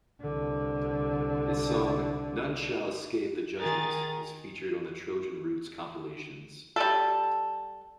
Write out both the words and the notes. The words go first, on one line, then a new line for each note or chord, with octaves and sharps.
His song "None Shall Escape the Judgement" was featured on the Trojan roots compilations.
C2 D3
D#3 G#4 A#4 A6
G3 A4